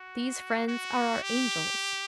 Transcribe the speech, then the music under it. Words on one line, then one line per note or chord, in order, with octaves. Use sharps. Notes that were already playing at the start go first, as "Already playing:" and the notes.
These friends are our angels.
Already playing: F#4
F#4
G4